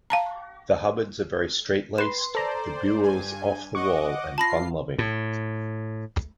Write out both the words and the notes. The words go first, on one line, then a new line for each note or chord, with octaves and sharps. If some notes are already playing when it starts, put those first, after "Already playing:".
The Hubbards are very straitlaced, the Buells off-the-wall and fun-loving.
F5 A5 A#5
B4 C6 E7
A4 C5 D5 A#5
G2 G#5
D#5 F#5 C#6 D6
F4 A5 B5 A#6 C7
A2